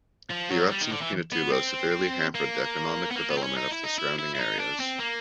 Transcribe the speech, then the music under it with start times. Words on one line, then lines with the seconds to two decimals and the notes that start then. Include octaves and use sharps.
The eruption of Pinatubo severely hampered the economic development of the surrounding areas.
0.30 F3
0.51 F#3
0.71 G3
0.81 D#3
0.92 D3
1.01 E3
1.32 B3
1.52 C4
2.35 A#3
3.11 B3
3.16 A#3
3.30 B3
3.38 C4
3.43 C#4
3.57 D#4
3.71 E4
3.84 D#4
3.98 E4
4.18 E4
4.35 E4
4.39 D#4
4.59 D4
4.80 C4
5.00 A#3